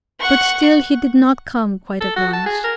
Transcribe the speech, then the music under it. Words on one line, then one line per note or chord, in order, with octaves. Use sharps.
But still he did not come quite at once.
F#5 C#6
A4
F#4
A5
G#4
A#4